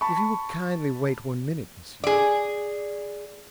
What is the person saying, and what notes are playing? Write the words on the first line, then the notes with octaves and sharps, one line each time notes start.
'If you will kindly wait one minute, Miss Yule.
A5 B5 C#6
G#4 D5